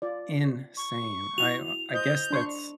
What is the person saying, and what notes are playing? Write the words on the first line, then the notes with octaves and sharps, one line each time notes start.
insane. I, uh, I guess that's
F4 D5
C#6
E4 F#4 F7
C5 D#5 G6
D4 C6 C#6